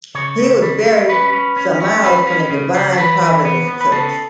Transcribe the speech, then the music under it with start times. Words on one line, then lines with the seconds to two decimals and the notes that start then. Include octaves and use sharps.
He was buried some miles from the Divine Providence Church.
0.15 C#3 C#5
0.38 C#3
0.62 G3
0.86 G3
1.09 C#4 B4
1.33 C#4
1.56 C#4
1.80 C#4
2.03 G3 B4
2.27 C#4
2.50 C#3
2.74 C#3
2.93 A4
2.97 E3 B4
3.22 E3
3.45 B3
3.68 B3
3.81 B4
3.92 C#3 A4